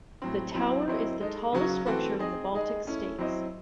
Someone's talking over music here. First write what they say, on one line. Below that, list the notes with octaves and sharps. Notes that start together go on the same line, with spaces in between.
The tower is the tallest structure in the Baltic states.
A2 F#3 C4
F#3 C4 E4
F#3 C4 E4 C5 D#5
G#3 D#4 A4
C#3 F#3 C#4 F#4
E3 A3 C4 F#4 A4
C4 D#4 G#4 D#5
G#3 D#4 G#4 D#5
A3 C#4 E4
F#3 C4 E4 C5 D#5